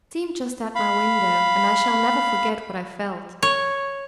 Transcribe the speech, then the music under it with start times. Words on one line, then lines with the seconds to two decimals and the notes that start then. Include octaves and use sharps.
It seemed just at my window, and I shall never forget what I felt.
0.75 F5 B5
3.43 C#5